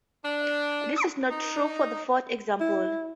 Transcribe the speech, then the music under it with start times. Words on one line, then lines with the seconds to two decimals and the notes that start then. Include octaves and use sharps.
This is not true for the fourth example.
0.24 D4
1.30 D#4
2.60 E4